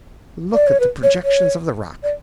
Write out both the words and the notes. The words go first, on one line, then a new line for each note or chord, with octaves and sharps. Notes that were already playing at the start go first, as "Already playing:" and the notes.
Look at the projections of the rock.
D5
C#5
B4
C#5
C#5
D5